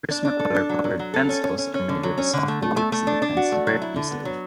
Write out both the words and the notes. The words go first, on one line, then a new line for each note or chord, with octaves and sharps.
Prismacolor colored pencils are made with a soft wax that tends to break easily.
D4
D4
A4
D4
F#3
F#3
F#3
A4
C#4
C#4
C#4
C#4
D3
F#3
C#4
D3
A3
A3
A3
A3
D4
D4
F#4
A3
F#3
E4
D3
B3
F#3